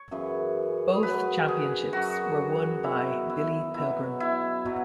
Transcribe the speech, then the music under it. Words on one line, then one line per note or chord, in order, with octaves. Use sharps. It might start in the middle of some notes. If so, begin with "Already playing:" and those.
Both championships were won by Billy Pilgrim.
Already playing: C#5
F#2 C#3 E3
G#4
F#2 F#3 B4
G#4
F#2 F#3 F#4
B2 F#3 E4
E4
B2 F#3 E4
E4
B2 F#3